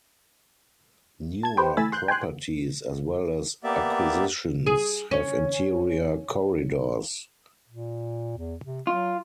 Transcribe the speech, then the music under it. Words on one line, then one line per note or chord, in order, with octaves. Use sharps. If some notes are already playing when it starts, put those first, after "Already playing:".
Newer properties, as well as acquisitions, have interior corridors.
A5 G#6
G4 B4 C5 G5
E3 A3 G#5 B5 E6 A6
C6 F#6 G6
G5 G#5 C6 F#6
A#3 B3 G4 D5 E5
G#4
C#4
A#2
E2
C3
F#3 F4